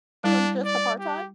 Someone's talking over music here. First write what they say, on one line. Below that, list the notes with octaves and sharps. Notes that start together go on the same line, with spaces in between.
From just a part-time? uh
G3 D4 E4
D5
G4